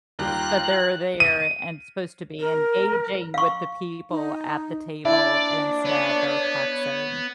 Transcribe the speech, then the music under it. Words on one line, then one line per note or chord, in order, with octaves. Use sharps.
But they're there and supposed to be engaging with the people at the table, and instead they're texting.
D#2 G3 F4 G4 G5 A#5 F#6
D#7
A#4
F5 C#6
D#4
D4 E4 D5
B3 C#5